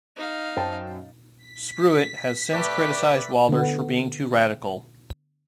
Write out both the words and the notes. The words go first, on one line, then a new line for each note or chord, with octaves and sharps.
Spruyt has since criticized Wilders for being too radical.
D#4 F5
F#2 C5 G5 A5
B6
A3 G4 B4 D5
D3 B3